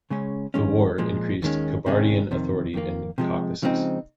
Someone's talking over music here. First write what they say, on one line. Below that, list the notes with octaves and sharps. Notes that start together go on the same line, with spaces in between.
The war increased Kabardian authority in the Caucasus.
C#3 G#3 C#4
F2 D#3 G#3 C#4
A#2 F3 G#3
D#2 D#3 G#3 C#4
C3 D#3 G#3 C#4
F2 C3 D#3
F2 D#3 A#3
C3 F3 G#3
C#3 F3 G#3 C4 D#4